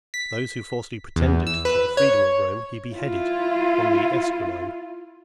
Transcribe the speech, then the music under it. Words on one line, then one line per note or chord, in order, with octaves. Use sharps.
Those who falsely pretended to the freedom of Rome, he beheaded on the Esquiline.
B6
E2
E6
B4
C#5
E4 F4